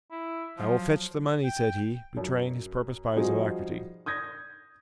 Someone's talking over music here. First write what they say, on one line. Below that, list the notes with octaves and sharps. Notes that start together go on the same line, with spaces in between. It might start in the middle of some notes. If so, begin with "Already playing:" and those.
"I will fetch the money," said he, betraying his purpose by his alacrity.
E4
F3 F#3
G5
F#2
F3 G3 D#4 F#4 G#4 C5
D#6 G6 G#6 A#6